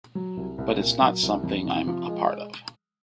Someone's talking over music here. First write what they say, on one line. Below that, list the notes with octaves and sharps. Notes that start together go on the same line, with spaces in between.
But it's not something I'm a part of.
F#3
C2
C2
A#2
F#3
C2
F2
C3
F3
G#3